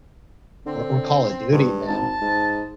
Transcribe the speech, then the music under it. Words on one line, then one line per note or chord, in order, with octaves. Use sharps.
or or Call of Duty, man.
D3 C4
G2
G#1 A5
G#2